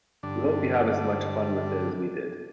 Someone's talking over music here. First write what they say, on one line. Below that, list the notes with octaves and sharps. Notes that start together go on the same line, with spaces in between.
We hope you have as much fun with it as we did.
G2 D3 D4